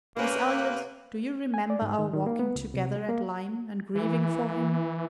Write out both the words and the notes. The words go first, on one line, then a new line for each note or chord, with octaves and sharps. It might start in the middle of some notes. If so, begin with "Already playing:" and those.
Miss Elliot, do you remember our walking together at Lyme, and grieving for him?
C3 A#3 B3 C#4 B4
G#5
D5
G#2
D#3
D#3
A#3
B3
C#2
C3
G#3
A#3
E3